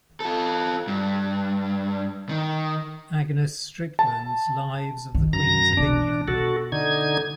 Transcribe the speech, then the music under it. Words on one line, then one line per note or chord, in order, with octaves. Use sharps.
"Agnes Strickland's Lives of the Queens of England".
F4 A4
G2
D#3
A5
D#3
F#2 A#5 A#6
B1 E3 D4
B2 F#4 A4
D3 D#4 G#6